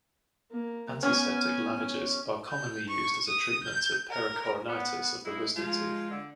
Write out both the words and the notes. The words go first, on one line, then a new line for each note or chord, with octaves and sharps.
Antiseptic lavages are commonly used as a treatment to pericoronitis of wisdom teeth.
A#3
B3 C#4 G#5
G6
C#6
D#6
G6
A#4
B3
G2 G#3 E4
F3 G#3 F4
D3